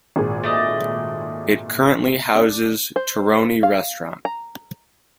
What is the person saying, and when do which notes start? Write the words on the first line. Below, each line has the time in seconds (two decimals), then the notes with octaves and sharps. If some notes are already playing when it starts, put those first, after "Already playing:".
It currently houses Terroni restaurant.
0.16 G#1 A#2 G#4
0.43 A3 D5 D#5
2.36 D4
2.96 C5
3.63 F5
4.25 A#5